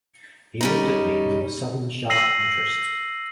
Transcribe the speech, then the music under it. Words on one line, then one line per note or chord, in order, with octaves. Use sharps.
He looked at me with a sudden sharp interest.
G3 C#4 D#4
E6 A#6 C7 D#7 F#7